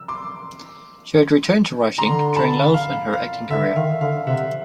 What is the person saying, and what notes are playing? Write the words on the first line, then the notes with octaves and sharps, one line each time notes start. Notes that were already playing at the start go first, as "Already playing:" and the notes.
She would return to writing during lulls in her acting career.
Already playing: E6
C6 D6
D3 A#5 C6
A5 B5
F5
F5
D3 E5
D#3 F5
D3 F5
C3 E5 F#5